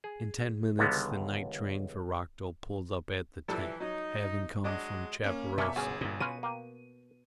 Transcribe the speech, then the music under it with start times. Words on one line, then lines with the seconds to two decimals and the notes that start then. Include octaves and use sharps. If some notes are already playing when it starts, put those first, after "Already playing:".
In ten minutes the night train for Rockdell pulled up at the tank, having come from Chaparosa.
0.04 G#4
0.79 C#2 D3 D#3 G3 G#3 B3
3.48 E3 F3 G3 A4
3.80 F#3 D#4
4.64 F#3 G#3 D4 D#5 D6
5.24 A#3 C#4
5.58 B2 A#3 C#4 D4 E5
5.76 G1 C#4 F#4 G#4
6.01 G2 A#2
6.21 B2 C#4 F4 B4 D#7
6.43 A#3 G5